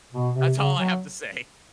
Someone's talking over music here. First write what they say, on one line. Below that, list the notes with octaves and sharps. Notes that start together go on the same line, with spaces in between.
That's all I have to say.
B2
C3
C#3
F#3